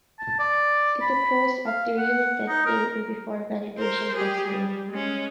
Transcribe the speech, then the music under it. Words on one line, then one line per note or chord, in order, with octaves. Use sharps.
It occurs after unit testing and before validation testing.
A5
D5
B5
F5
F#5
D#4
A#4
A#4 C5
G4 G#4
G3
G#3 C#4